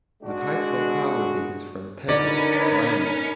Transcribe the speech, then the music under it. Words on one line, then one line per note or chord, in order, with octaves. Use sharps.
The type locality is from Pegu, Myanmar.
G#3 D4 F#4
D3 C#4 D#4 A#4 B4 D5